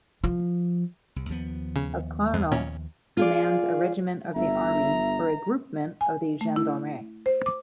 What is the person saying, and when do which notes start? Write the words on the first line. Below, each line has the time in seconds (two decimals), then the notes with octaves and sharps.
A "colonel" commands a regiment of the army or a "groupement" of the Gendarmerie.
0.24 F3
1.16 C2
1.29 D#2 F3 B3
1.76 C#3
2.34 F2
2.51 A#2 C#4
3.17 F4 G#4 D5
4.35 G1 E5 A#5
6.01 G#5
6.41 A3
6.56 E4
7.26 C5
7.46 D6